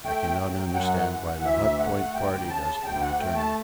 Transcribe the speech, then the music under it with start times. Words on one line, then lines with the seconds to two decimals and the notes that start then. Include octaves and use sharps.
I cannot understand why the Hut Point party doesn't return.
0.04 A3 G5
0.40 F#3
0.74 F#2 F#5
1.09 E3
1.45 D2 E5
1.79 A3 F#5
2.13 D2 G5
2.49 C#3 A5
2.84 D2 G5
3.02 F#5
3.18 A3 G5
3.37 A5